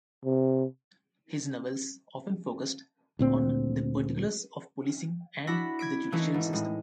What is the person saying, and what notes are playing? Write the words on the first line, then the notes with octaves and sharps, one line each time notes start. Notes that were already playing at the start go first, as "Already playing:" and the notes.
His novels often focussed on the particulars of policing and the judicial system.
C3
D2 A#2 C4
D4 E4 F#4 B5 A#6 B6
G#6 B6 D7
E3 A3 A#3 C#4 D#4 E4
G#1
A2 G#3